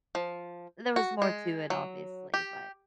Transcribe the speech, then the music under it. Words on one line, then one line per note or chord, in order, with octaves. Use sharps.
there was more to it, obviously, but
F3
F#4
G#3
F#3
G4